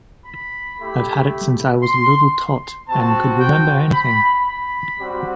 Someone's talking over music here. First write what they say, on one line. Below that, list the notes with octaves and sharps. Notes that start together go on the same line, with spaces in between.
I've had it since I was a little tot and could remember anything.
B5
A3 E4 G4
C6
C4 F#4 A5
G5
B5
B5
G3 C4 F#4